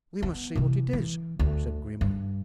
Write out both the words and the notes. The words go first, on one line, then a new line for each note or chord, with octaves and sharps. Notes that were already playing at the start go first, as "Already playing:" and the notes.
"We must see what it is," said Grimaud.
B3
C3 E3
E3
D2
G2